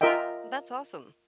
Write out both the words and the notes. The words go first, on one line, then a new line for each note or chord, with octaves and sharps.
That's awesome.
F4 A#4 D#5 E5 G5